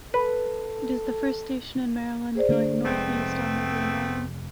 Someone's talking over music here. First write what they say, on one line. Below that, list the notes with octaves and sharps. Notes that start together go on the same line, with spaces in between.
It is the first station in Maryland going northeast on the Green Line.
A4 B4
G#4 C5 D5
D3 A3 D4
F1 G#3 A3 B3 C4